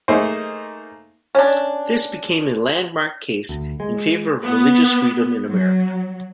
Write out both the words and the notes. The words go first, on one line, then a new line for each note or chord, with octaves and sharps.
This became a landmark case in favor of religious freedom in America.
A3 A#3 D#4 G#4 C5
C#4 D4
D2
G#3
B3
F#3